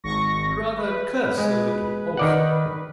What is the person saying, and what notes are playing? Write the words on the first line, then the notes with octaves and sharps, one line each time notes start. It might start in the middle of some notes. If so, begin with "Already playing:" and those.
Rather curse a little also!
G#1 C#6 A#6
B4
G#3
D#3 D5 F#5